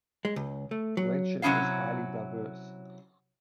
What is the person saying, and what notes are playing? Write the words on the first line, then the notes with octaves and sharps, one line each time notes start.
Wenshan is highly diverse.
G#3
C#2
A3
F#3
C3 F#3 G#3 C#4 E4 F5